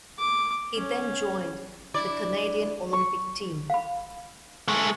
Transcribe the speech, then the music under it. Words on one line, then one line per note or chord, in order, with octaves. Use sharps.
He then joined the Canadian Olympic team.
D6
C#4
D4 E4 D5
C#6
F5 B5
G#3 A3